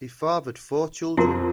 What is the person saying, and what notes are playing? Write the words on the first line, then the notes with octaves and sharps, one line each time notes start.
He fathered four children.
F2 E4 F#4 A#4